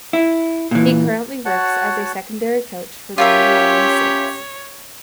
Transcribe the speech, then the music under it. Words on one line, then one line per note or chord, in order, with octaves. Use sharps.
He currently works as a secondary coach for the New Orleans Saints.
E4
A#2 E3
F#4 C#5 F#5 A5
C#4 F4 G4 A#4 C#5 E5